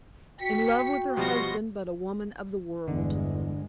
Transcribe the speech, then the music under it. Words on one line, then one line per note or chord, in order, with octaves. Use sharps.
In love with her husband but a woman-of-the-world.
F#4 G5 B6 C#7
B2 F3 G3 C6 C#6 A#6
G1 E2 D3 G#3